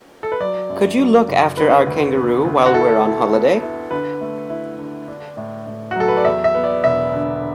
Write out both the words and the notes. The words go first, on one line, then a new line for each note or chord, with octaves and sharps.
Could you look after our kangaroo while we're on holiday?
A4
B4
F#3 D5
F#2
F#3
F#1
D3 B4
D2
B3
D2
F#4
E4 A4
E4
B3
E4
D3 B4
A3
E4
D3
D4
A2
A2
F#4
F#3 A4
B4
D5
E2 E5
E5
B3
D5
E1 E5
D3